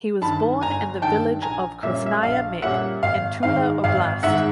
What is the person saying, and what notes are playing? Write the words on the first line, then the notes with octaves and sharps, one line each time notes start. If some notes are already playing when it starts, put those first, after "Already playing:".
He was born in the village of Krasnaya Mech in Tula Oblast.
G2 D#3 A5 B5
G1 G#5 A#5
G2 D#3 G5 A5
A#1 G#5 A#5
A#2 G3 A#3 C#4 E5
E5
A#1 F5
A#2 G3 A#3 C#4 E5 F#5
G#1 F5
G#2 D#3 G#3 F5
G#1 F5
G#2 D#3 G#3 E5 F#5